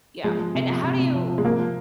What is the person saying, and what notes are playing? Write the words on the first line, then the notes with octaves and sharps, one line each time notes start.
Yeah, and how do you
F3 G#3
F3
C3
F3
C3
C3
F3
F3
G#3
F3 A#3
F3